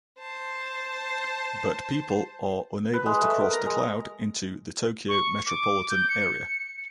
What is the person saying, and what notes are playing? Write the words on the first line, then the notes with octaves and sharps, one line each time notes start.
But people are unable to cross "the cloud" into the Tokyo metropolitan area.
C5 A5
B4
G#3
A3
A#4
A#5
G#3
C#6
D6
G6
C#7